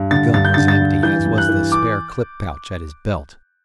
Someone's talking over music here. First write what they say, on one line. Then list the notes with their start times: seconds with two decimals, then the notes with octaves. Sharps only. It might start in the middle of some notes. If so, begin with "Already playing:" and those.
The gun was empty, as was the spare clip pouch at his belt.
Already playing: G2
0.11 D3 A6
0.34 G2 A6
0.45 G6
0.54 D3 A6
0.68 A6
0.81 G2
1.03 E3 G6
1.26 G2
1.38 F#6
1.49 E3
1.72 D6